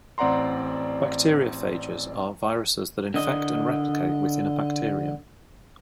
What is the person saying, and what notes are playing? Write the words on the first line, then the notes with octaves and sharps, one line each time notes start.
Bacteriophages are viruses that infect and replicate within a bacterium.
A1 C4 D5 F#5 A#5 C6
D3 D#5